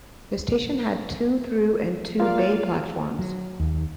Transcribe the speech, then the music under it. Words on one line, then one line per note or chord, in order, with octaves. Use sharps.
The station had two through and two bay platforms.
A#3 F4 D5 F5
F#3
D#2